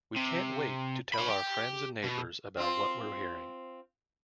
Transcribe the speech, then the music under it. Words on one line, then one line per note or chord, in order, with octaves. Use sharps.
We can't wait to tell our friends and neighbors about what we're hearing.
C3
C#5 B5
G4
B2
C4 F4